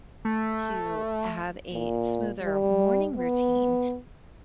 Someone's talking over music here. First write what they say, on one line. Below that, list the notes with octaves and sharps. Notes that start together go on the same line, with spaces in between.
to have a smoother morning routine,
A3
A#2
G3
B3